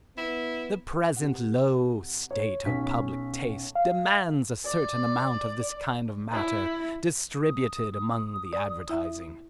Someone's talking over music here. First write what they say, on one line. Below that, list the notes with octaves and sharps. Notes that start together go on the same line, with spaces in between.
The present low state of public taste demands a certain amount of this kind of matter distributed among the advertising.
B3 E4
C3 F#5
C#5
B1 C#4 B6
F5
D5
E4
D#6
D5
E4 E5